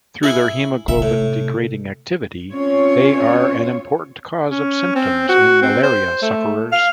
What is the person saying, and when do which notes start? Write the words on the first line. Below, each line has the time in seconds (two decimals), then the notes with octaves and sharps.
Through their haemoglobin-degrading activity, they are an important cause of symptoms in malaria sufferers.
0.23 E4 G#4
0.88 C3 E5
1.02 A2
2.52 C4 C#4 F4 C#5
4.49 C#4
4.95 C4
5.29 F#4
5.62 C4
5.83 C5
6.22 A3
6.72 F5